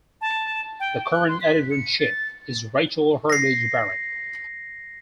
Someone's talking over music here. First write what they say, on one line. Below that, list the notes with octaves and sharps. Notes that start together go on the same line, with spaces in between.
The current editor-in-chief is Rachel Hardage Barrett.
A5
G5
F#6
C6
B6
C#7
A6
A#6 C7